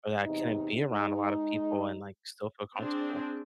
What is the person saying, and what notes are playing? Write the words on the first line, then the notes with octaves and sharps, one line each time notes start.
or that I couldn't be around a lot of people and, like, still feel comfortable,
E2 C3 D#4
G#3 D#4
C4 D4 G#4